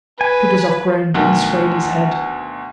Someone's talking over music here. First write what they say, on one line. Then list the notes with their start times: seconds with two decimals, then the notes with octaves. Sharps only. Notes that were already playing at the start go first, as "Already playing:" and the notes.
Kutuzov groaned and swayed his head.
0.21 B4 G#5
1.15 D2 B2 D#3